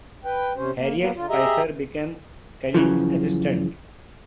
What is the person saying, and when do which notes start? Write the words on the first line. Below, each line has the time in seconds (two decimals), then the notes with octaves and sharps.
Harriet Spicer became Callil's assistant.
0.25 B4 G5
0.56 C3 C#4 C5
0.77 A#3
0.98 F#3 A#3 B3
1.16 D3 F4
1.29 G4 G#4 D#5 E5 A#5
2.74 F#2 C#3 E3 F3